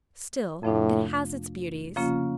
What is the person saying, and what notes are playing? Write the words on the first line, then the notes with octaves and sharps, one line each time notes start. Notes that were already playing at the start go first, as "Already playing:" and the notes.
Still it has its beauties.
F2 A2 C3 F3 A3 D4
C#3 F3 A#3 C#4 F4